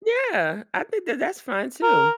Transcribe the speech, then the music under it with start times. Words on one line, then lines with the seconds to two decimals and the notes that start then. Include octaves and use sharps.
Yeah, I think that that's fine too.
1.83 A#4